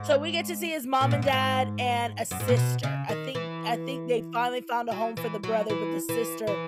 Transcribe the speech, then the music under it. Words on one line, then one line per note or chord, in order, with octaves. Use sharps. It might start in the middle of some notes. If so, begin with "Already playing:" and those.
so we get to see his mom and dad and a sister. I think I think they finally found a home for the brother, but the sister,
Already playing: G#2
A#2
G#2
F#2
G#2
F#2
G#2
A#2
B2
C#3
D#3
E3
F#3
E3
F#3
E3
E3
E3